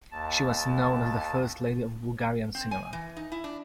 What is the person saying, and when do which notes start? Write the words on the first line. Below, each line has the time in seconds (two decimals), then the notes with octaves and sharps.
She was known as the first lady of Bulgarian cinema.
0.11 D#2 A5
2.55 C4
2.71 G#5
2.93 E3
3.17 D#4
3.32 E4
3.44 D4